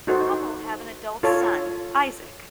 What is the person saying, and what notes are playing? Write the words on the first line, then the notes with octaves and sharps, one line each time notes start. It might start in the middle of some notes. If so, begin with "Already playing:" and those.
The couple have an adult son, Isaac.
D#4 F#4 A4 C5
F4 A4 C#5 A5